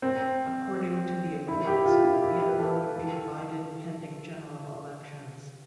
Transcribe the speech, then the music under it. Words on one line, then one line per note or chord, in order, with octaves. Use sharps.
According to the accords, Vietnam would be divided pending general elections.
C4
E4
G4
F4
E4
G4
B4
A4
A4